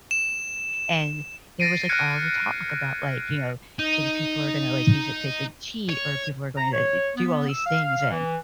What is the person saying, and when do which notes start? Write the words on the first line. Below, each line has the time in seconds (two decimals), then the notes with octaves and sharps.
and there was, like, all the talk about, like, you know, either people are gonna, like, use it to, like, cheat, or people are going eh, to do all these things, and
0.11 E7
1.60 A6 A#6 C7 D7 D#7
1.89 F6 F#6 G#6 C#7
3.79 D#4
5.89 C#5
6.57 A#5
6.73 C#5
7.16 B3
7.49 E6
7.66 F5
8.10 E3